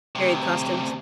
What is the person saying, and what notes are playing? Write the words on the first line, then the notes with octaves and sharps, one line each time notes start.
period costumes?
D2 C3